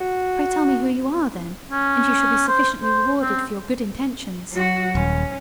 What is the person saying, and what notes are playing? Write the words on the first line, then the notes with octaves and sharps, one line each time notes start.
"Pray tell me who you are, then, and you shall be sufficiently rewarded for your good intentions."
F#4
C#4
C5
C5
C4
F#3 F#4
D#1 C#4